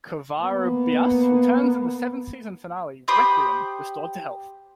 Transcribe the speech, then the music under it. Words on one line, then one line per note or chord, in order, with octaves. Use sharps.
Covarrubias returns in the seventh season finale "Requiem", restored to health.
A#3 B3
G4 C5 B5 D#6